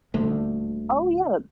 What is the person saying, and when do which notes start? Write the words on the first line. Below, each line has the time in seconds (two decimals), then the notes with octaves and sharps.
Oh, yeah.
0.14 D#1 D2 D3 A3